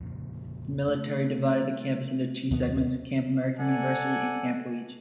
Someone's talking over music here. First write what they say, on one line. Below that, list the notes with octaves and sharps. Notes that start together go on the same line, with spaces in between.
The military divided the campus into two segments, Camp American University and Camp Leach.
F2 A#2 C#3
A3
D#2 B2 B3
A4 D5 F#5 G#5